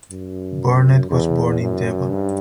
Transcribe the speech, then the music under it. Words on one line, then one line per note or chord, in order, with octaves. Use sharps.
Burnett was born in Devon.
F#2
E2
F#2
G2